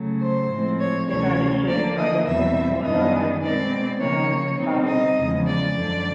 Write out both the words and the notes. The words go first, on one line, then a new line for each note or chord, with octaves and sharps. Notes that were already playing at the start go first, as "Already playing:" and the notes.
In addition a dozen smaller islets surround Paros.
Already playing: C#3 F#3 A3
C5
A2 F3 G#3 C4
C#5
D2 C3 E3 A3 C#4 C#5
D3 F3 A#3 D4 D5
D#5
E2 B2 G3 C4 E5
F#2 D#3 G3 B3 D4 D#5
B2 G#3 C4 D5
C#3 F3 A#3 C#5
B2 G3 C4 D#4
D#5
E2 C#3 F3 G#3
D5
F#2 D3 F3